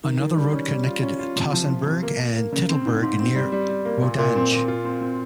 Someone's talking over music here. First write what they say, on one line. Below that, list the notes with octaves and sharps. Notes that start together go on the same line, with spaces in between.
Another road connected Tossenberg to Titelberg near Rodange.
D#3
D#3
G3
C#4
G3
F4
C#4
F4
C3
F3
F3
C3
A#3
A#3
A#3
C#3
C4
G#2
G#2
C4
G3
G3
G3
A#3
A#2
A#2
C4
A#2
F4
C4
C4